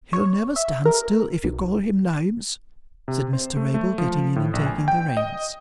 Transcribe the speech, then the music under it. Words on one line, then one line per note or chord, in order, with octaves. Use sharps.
'He'll never stand still, if you call him names,' said Mr Abel, getting in, and taking the reins.
C#5
E5
A#4
B1
C3
C5
A3
A3
F3
A2
A#1
G#5
G5
D#5